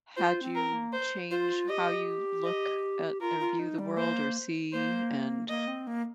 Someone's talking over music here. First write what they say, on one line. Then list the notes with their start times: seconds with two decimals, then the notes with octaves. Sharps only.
had you change how you look at or, view the world, or see, and
0.17 F4 C5
0.42 C4
0.56 A#4
0.68 C4
0.73 A#3
0.93 C5
1.31 F4 C5
1.69 G4 D#5
2.45 D#5
3.21 F4 A#4
3.40 F4
3.59 D#4
3.79 G3
3.97 A#3 C5
4.73 A#3 C5
5.49 A#3 D#5
5.67 C4
5.87 A#3